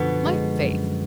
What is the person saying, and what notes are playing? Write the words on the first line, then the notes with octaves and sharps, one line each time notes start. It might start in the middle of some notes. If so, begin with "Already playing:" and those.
My faith!
Already playing: F#2 B2 D3 F3 B3
G#3
F#2